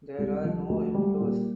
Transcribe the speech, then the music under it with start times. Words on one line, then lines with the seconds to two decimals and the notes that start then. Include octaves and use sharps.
There are no inflows.
0.19 C2
0.44 F3
0.69 D2
0.95 G3
1.20 A#2